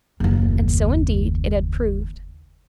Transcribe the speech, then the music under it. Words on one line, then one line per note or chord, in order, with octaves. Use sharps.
And so, indeed, it had proved.
F#1 D#2